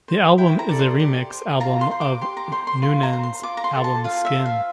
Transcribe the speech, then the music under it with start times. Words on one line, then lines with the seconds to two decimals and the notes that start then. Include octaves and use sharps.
The album is a remix album of Noonan's album "Skin".
0.08 C5
0.38 E4 G5
0.59 A#5
0.69 A4 D5
0.79 C6
1.00 G4
1.30 C5
1.60 F4 A#5
1.81 C6
1.91 C5
2.01 D6
2.21 G4 C6
2.37 A#5
2.52 C5 C6
2.67 C6
2.82 F4 C6
3.03 A#5
3.13 C5
3.23 C6
3.43 F4 D6
3.57 A#5
3.64 C6
3.74 A4 C5
3.84 A5
4.04 F4 F5
4.25 E5
4.35 C5
4.46 F5